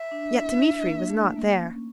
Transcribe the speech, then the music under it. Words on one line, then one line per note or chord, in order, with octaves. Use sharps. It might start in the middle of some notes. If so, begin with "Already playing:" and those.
Yet Dmitri was not there.
Already playing: E5
D4
E4
D4
A#3
A3
A#3
C#4